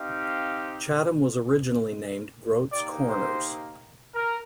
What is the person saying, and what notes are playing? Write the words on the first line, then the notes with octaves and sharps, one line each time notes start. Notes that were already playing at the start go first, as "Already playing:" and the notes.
Chatham was originally named Groats Corners.
Already playing: C4 D#4 G4 F5
A#3 D#4 G4 D5
C5
A#4